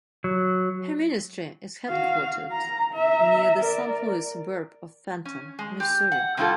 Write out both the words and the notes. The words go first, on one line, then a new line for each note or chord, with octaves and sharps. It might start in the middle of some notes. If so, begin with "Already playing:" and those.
Her ministry is headquartered near the Saint Louis suburb of Fenton, Missouri.
F#3
F#4 F5
A#5
E5 A#5
A#4 D5
C#4
G#3
G4
F#5
C3 G3 E4 F4 A4